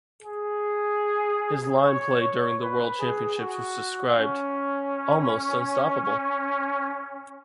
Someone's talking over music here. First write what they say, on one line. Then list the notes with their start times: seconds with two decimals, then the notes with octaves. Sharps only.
His line play during the world championships was described "almost unstoppable".
0.22 G#4
1.80 C#5
2.60 B4
2.99 G#4
3.38 F#4
4.18 C#4